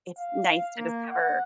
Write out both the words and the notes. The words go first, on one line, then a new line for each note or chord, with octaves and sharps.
it's nice to discover
F5
A#3
F#5